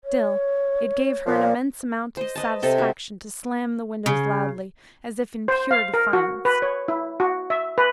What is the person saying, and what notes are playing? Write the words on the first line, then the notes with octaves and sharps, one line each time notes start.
Still, it gave her an immense amount of satisfaction to slam the windows loudly, as if in pure defiance.
C#5
A#2 F3
C5 D#5
B4 D#5 A5
C3 A4 D#5
F#4
C#3
C5
F5
A#4
F#4
B4
C#5
E4
F#4
E5
B4